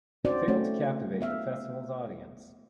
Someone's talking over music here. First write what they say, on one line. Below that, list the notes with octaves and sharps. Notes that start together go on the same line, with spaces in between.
It failed to captivate the Festival's audience.
C4 C#4 D#4 F#4 C5 D5
A3 C4 C#4 F#4
B3 E5 F5